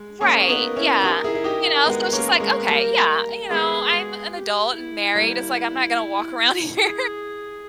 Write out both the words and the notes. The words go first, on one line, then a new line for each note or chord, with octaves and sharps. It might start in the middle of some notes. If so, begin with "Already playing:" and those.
Right, yeah. You know, so it's just like, "Okay, yeah, you know, I'm an adult and married," it's like, "I'm not gonna walk around here
Already playing: G#3
A#3 C#4 G#4
B3 D#4
A#4
C#4 E4
D#4 G4
E4 G#4
E4
D#4 G4
G#3 B3
A#3 C#4
G#3
G3 A#3 A#4
A#4
G#3 B3 G#4
G#3
G4
E4
G3 A#3
G#4